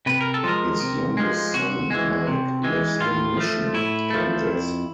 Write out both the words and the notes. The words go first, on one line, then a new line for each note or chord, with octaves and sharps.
His youngest son, Mike, lives in Mission, Kansas.
C3 B4
A#4
A4
F3 G#3 A#4
C3
F3 G#3
C3 F#4
E3 G#3
C3
E3 G#3
A2 F4
F3 A3
A2 E4
F3 A3
F2